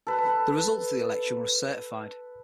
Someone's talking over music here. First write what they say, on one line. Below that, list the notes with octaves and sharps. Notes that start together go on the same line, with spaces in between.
The results of the election were certified.
A4 B4